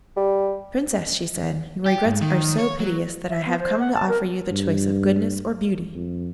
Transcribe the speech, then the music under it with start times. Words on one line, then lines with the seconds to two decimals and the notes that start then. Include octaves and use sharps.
'Princess,' she said, 'your regrets are so piteous that I have come to offer you the choice of goodness or beauty.
0.16 G3
1.86 G4
2.06 G#2
2.21 D#3
2.59 C#5
2.80 F#3
3.30 E5
3.46 B3
3.60 C5
3.80 F#5
3.94 A5
4.08 A#4
4.51 G2
5.95 F2